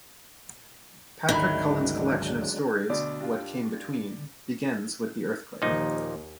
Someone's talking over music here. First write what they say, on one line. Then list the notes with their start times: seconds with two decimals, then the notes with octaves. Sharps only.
Patrick Cullen's collection of stories, "What Came Between", begins with the earthquake.
1.29 G#1 D2 D#3 F#3 G#3 D4 E5 B5
2.90 D2 B2 D5
3.20 G2 F4
5.62 D#2 A#2 F3 D#4